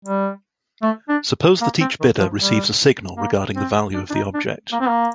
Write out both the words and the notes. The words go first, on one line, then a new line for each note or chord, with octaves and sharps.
Suppose that each bidder, receives a signal regarding the value of the object.
G3
A3
D4
A#3
C4
D#3
F3
G3
A#3
C4
D4
D4
D#4
D4
A#3
C4
A#3